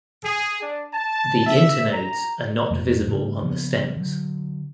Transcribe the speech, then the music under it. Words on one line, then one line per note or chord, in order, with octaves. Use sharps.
The internodes are not visible on the stems.
G#4
D4
A5
E5
A#5
F2 A3 A#3
G#2 C#3 G3 A3
C#3 F3 A#3 B3
D3 F#3